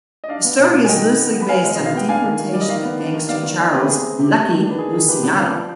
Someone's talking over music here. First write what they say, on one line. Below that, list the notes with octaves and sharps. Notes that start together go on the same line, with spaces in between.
The story is loosely based on the deportation of gangster Charles "Lucky" Luciano.
D#5
D4 D5 F5
B3
B2
B2
G#5
D#3 D#5 G5
D#3
B3
B3
B5
B3 F5 G#5
G#3
B2 D#5
F5
B3 G5
D4 F5 G#5
D#3
D#3
G3 D5
D#5
D#3 D5 F5
B3
D4
D#3
B3 D5 F5
D#3
D#3 D5 F5
B3 G4 B4
C3 G#4
C4
C3 G4
C3
D#3
D4
B4
D#3 G#4
D#3 G#4
F3 G4 B4
B3
F3 D5 F5
F3